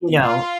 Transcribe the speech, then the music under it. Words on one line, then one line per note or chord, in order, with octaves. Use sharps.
you know?
F4